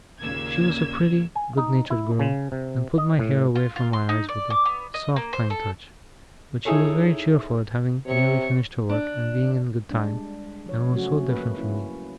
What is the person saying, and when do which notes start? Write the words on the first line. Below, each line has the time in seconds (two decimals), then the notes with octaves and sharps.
She was a pretty, good-natured girl, and put my hair away from my eyes with a soft, kind touch; but she was very cheerful at having nearly finished her work and being in good time, and was so different from me!
0.20 D#2 A#2 C#3 A#3 E6 G#6
1.35 G#5
1.57 D#4
1.90 E4
2.19 C#3
2.52 C3
2.98 D#5
3.19 A2
3.55 F4
3.76 F4
3.93 C6
4.09 D#4
4.29 D5
4.50 D6
4.65 B3
4.94 D#5
5.16 A#3
5.33 C5
5.50 A4
6.65 D#4 E4 G#4 A4 C#5
8.06 C3 C#5 C#6
8.89 D4
9.91 G3 G#3 D4
10.66 F3 C#5
10.93 C#3 F#3 A3 C#4 F#4
11.28 A#3 B4
11.57 C#4 E4